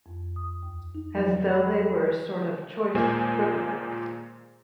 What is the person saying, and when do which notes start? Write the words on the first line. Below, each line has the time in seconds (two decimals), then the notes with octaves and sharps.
As though they were a sort of choice bric-a-brac.
0.06 F2
0.36 D#6
0.63 D#2
0.95 D#4
1.15 F#3
1.51 B5
1.78 A4
2.95 D#2 A#2 G#3 A#3 C5 G#5